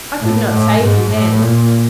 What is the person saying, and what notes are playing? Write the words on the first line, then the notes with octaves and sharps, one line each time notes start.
I could not save you then.
A2
A2
G#2
A2
A#2